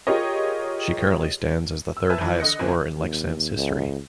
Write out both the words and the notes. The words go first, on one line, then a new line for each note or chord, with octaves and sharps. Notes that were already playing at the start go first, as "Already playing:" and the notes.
She currently stands as the third highest scorer in Leksands history.
F4 G4 G#4 A#4 C#5 D#5
E6
B4 E5 G#5 A5
E3 F3
D3 D#5 F#6 A#6 C#7
F#1 F#2 F3 C4 G#5
D#2
C#2